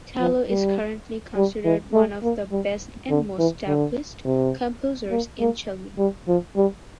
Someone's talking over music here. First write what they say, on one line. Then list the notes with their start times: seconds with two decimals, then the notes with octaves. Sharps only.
Tilo is currently considered one of the best and most established composers in Chile.
0.20 F3
0.49 G3
1.36 G3
1.65 E3
1.93 A3
2.23 A#3
2.51 G3
3.10 D3
3.39 E3
3.67 D3
4.25 C3
5.11 A#3
5.40 A#3
5.98 G3
6.28 F3
6.57 G3